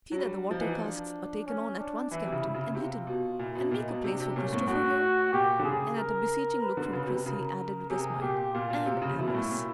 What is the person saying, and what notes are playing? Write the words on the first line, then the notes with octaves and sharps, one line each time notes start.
"See that the water casks are taken on at once, Captain, and hidden, and make a place for Christopher, here," and at a beseeching look from Chris he added with a smile, "and Amos."
F#3
G3 D4
F3 D#4
E3
F3
D4
C#4
D4
E3 E4
C3
C#3
C#3
C3 F4
B2
A#2 E4
B2
A#2 D#4
B2
C3 D4
C3
A#2 C#4
A2
A2 F#4
A#2 G4
D3
C#3 G#4
A#4
B4
D3
C#3 B4
B2
C3
C#3 A#4
C3 G#4
A#2 G4
A#2 F4
A#2
C3
C#3
B2 E4
A#2
A2
A#2